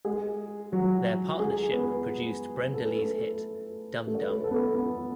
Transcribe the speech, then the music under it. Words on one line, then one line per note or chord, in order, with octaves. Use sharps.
Their partnership produced Brenda Lee's hit Dum Dum.
G#3 G#4
F#3 F#4
G#3 G#4
B3 B4
A4
B4
A3 A4
A3 A4
C#5
B4
A3 A4
A4
B3 B4
B3 B4